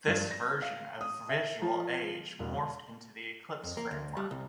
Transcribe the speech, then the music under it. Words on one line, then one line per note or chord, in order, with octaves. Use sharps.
This version of VisualAge morphed into the Eclipse Framework.
G2
A#6
F5
D#6
E5
F3
E1
F2
A#3
D2
G3
C2